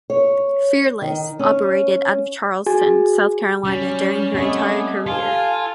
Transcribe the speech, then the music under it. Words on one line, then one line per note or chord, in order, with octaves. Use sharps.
"Fearless" operated out of Charleston, South Carolina during her entire career.
C#5
D#3
C#4
F#4 G#4 G#5
F#3 G3 C#4
G3 A3 B3 C4 D4 G#4 D#5
F4 G4 A4 F5 G#5